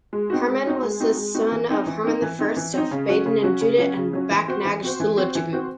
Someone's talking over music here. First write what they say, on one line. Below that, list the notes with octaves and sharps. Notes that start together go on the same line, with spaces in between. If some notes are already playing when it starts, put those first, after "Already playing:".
Hermann was the son of Hermann I of Baden and Judit of Backnang-Sulichgau.
G#3
C4 D#4 F#4
G#3
C4 D#4 F#4
G#3
C4 D#4 F#4
G#3
C4 D#4 F#4
E3
C4 D#4
E3
C4 D#4
E3
C4 D#4
E3
C4 D#4
C#3
F#3 C#4 F#4
C#3
F#3 C#4 F#4
C#3
F#3 C#4 F#4
C#3
F#3 C#4 F#4
E3
C4 F#4 C5
E3
C4 F#4 C5
E3
C4 F#4 C5
E3
C4 F#4 C5